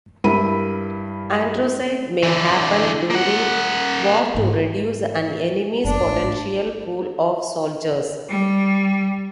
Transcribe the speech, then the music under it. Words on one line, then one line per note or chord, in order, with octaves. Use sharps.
Androcide may happen during war to reduce an enemy's potential pool of soldiers.
G2 E4 A#4 B5 D#7
D3 E3
A#3 F#5
G#2 A#3
F#1 F#3 D4
A1 G#2
G3